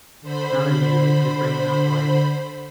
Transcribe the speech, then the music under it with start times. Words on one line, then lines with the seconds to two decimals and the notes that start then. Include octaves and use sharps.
Now that you you're bringing up, like
0.22 D3 C5 B5